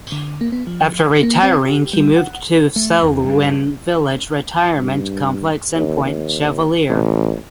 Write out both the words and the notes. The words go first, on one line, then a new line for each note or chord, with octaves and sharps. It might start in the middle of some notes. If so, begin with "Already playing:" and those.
After retiring he moved to the Selwyn Village retirement complex in Point Chevalier.
D3
A#3
B3
F3
A#3
C4
G4
G3
F#5
A3
E2
G2
G2
D#2
D#2
A1